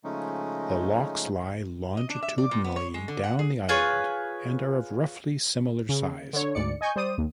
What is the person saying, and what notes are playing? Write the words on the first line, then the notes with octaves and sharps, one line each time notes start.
The lochs lie longitudinally down the island and are of roughly similar size.
C#3 F3 G#3 A3 C#4 D#4
D#5
D4
E5
D5
A#2
B3
C#5
G#3
D3
F#5
G#4
F4 G#4 B4 C#5
C#3
D3 C#5
D2 G#2 D5 C#7
D#5 G#5 C#6 G6
G3 C5 D5 D#6 D#7
D#2